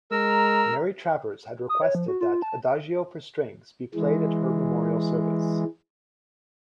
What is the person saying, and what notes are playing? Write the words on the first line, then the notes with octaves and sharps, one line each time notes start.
Mary Travers had requested that "Adagio for Strings" be played at her memorial service.
G#3 A#4 A#5 E6
D#6
C#5
F3
F#4
F4
A5
E3 G#3